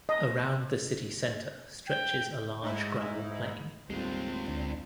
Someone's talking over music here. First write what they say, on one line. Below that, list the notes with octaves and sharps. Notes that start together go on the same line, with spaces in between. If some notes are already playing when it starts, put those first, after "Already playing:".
Around the city center stretches a large gravel plain.
D#5
G5
G#2 D#4 E4
D#2 A2 G3 G#3 C4 F4
D2 D4